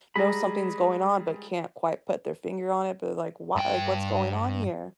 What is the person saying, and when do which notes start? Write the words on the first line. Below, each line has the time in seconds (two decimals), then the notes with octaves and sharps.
knows something's going on but can't quite put their finger on it, but, like, why like, what's going on here?
0.16 G3 G#3 G#4 A#5 B5
3.56 G2 G5